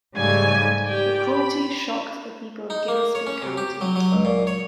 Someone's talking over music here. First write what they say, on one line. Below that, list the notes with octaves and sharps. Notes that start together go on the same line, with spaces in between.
The cruelty shocked the people of Gillespie County.
G#2 C#3 G3 A3 G#5 G#6
G4 D5 G5
B5
D#4
A#3
C#5
C#4
C3
G4
F#3
F#3
C#2
A#2
C#5